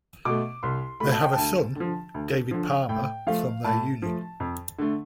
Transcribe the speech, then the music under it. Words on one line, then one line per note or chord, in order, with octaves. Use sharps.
They have a son, David Palmer from their union.
B2 A3 D6
C2 C6
B2 A3 B5
A5
G5
D2 A5
D3 F3
D2
D3 F3
A2 G5
F3 A3 F5
A2 A5
F3 A3
F2
D3 A3